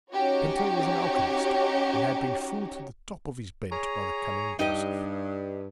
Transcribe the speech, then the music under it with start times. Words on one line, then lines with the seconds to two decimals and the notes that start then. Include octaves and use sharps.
Pinto was an alchymist, and had been fooled to the top of his bent by the cunning Joseph.
0.12 C#4 D#4 F#4 G4 C#5
3.72 G#4 C#5 A#5
4.59 G2 D#4 G4 D#5